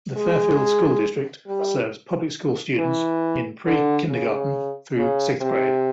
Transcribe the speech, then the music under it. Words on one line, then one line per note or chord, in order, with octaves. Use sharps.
The Fairfield School District serves public school students in pre-kindergarten through sixth grade.
G#3
G3
E3
D3
C#3
C#3
C3